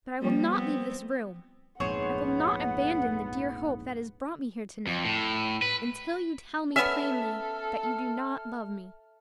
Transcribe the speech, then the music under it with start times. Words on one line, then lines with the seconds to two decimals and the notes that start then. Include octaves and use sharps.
But I will not leave this room, I will not abandon the dear hope that has brought me here to-night, until you tell me plainly that you do not love me.
0.20 F3 G3 A#3
0.50 B3 C4
1.80 A#1 F2 G#2 B3 G#4 C5 C#5 F#5
4.87 F2
5.05 A2
5.62 B4
6.76 B3 C#4 A4 E5 F6